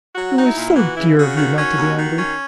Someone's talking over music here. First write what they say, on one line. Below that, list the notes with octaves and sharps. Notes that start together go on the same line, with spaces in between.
It was so dear of you not to be angry!
F#3 F#4
D#4 F#4
E4
A#2
E3 F#4
C#3 E4
C#3 F#4
D#3 F#4
C#4
D#2
D#3
C#4